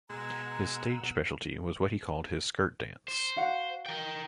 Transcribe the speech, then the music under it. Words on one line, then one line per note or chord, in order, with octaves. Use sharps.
His stage specialty was what he called his skirt dance.
B2 G#3 F#5 A#5 E6
C5
F#4 F5 F#5
A#4 G5